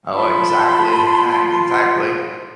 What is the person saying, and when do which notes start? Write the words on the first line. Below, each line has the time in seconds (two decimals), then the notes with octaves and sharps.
Oh exactly, I exactly.
0.14 F4 A5 B5 C6